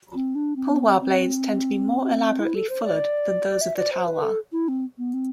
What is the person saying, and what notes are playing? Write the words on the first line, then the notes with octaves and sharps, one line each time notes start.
Pulwar blades tend to be more elaborately fullered than those of the talwar.
C4
D4
C4
B3
C4
C4
E4
A4
C5
D5
E5
D5
C5
B4
A4
E4
C4
B3
C4